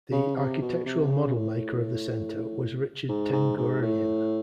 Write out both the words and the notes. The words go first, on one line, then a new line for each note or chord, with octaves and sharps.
The architectural model maker of the Center was Richard Tenguerian.
C#3
C3
B2
C3
C#3
A2
G#2
G#2
G#2
A2